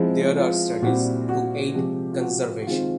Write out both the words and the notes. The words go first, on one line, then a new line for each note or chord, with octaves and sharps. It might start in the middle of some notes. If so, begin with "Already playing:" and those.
There are studies to aid conservation.
Already playing: F3 G#3 C4 E4
F4
A#2 G3 C4 E4 F#4
F#4
C3 F3 G#3 G4
F4
F#4
F#4
D#3 G#3 C4 F4